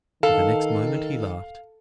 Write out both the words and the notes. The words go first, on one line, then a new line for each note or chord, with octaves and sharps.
But the next moment he laughed.
D#3 A4 F5